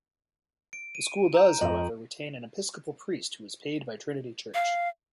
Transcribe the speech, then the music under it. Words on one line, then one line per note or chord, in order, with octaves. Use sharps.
The school does, however, retain an Episcopal priest who is paid by Trinity Church.
D7
D#7
A#5 G6
F2 D#5 F#7
F5